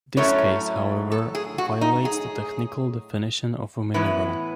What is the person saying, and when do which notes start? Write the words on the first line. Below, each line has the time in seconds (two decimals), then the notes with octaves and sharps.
This case, however, violates the technical definition of a mineral.
0.17 A2 F#3 A3 C#4 C#5
1.12 A4
1.35 G#4
1.58 F#4
1.81 D#4
2.05 G#4
3.94 A2 E3 B3 B4